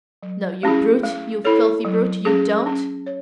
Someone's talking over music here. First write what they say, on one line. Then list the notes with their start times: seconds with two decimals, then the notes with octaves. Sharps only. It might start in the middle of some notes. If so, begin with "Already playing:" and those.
No, you brute, you filthy brute, you don't!
0.23 F#3
0.63 A3 C#4 E4 G#4
1.03 A3
1.45 E4 A4 C#5
1.85 F#3
2.25 A3 C#4 G#4
2.66 C#4
3.06 C#5